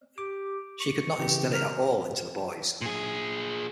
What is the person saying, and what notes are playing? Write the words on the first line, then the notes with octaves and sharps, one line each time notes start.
She could not instil it at all into the boys.
G4 D6
C#6
C#3 E3 G4
A#4 F6
A#2 G#4